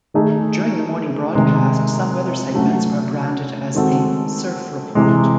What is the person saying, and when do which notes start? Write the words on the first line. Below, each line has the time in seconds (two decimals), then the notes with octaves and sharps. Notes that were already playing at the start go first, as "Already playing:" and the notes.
During the morning broadcast, some weather segments are branded as the "Surf Report".
0.14 D#3 A3 D#4 G#4
1.35 C3 D#3 G#3
2.54 F#3 A3 C#4 F#4
3.75 D#3 G#3 C4 F#4 A4
4.95 C3 E3 G#3